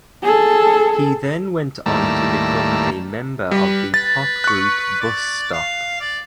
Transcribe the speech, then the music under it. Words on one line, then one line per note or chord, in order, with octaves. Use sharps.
He then went on to become a member of the pop group Bus Stop.
G#4 A4
D#2 A2 G3 A5 A#5 E6
G3 B4
B4 A6
C#6 F#6
D5
F5
D5